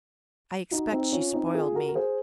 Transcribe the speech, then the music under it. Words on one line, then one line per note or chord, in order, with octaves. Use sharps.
I expect she spoiled me.
D#4 F#4
C4 D#4
C#4 F4
C4 D#4
F4 G#4
F#4 A#4
A#4
G#4 C5